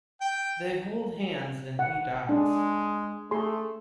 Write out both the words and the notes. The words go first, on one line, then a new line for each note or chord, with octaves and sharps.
They hold hands and he dies.
G5
F#5
G#3 D4
A3 G#4 G#5 C6